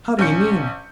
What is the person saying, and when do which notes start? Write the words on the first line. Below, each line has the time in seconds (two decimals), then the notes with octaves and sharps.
"How do you mean?"
0.19 A#1 C#4 G6 C#7